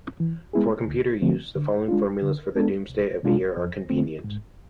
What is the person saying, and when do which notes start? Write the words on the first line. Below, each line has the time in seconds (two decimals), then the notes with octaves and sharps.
For computer use, the following formulas for the doomsday of a year are convenient.
0.20 E3
0.53 G#3 B3 E4 G#4
0.87 D2
1.22 D3 F3 A3 C4
1.55 D3
1.88 G#3 D4 F4
2.22 D3
2.55 G#3 B3 D4 A4
2.90 C2
3.23 C3 G#3 D4 F4
3.57 F2
3.90 D3 A3 C4
4.24 G#2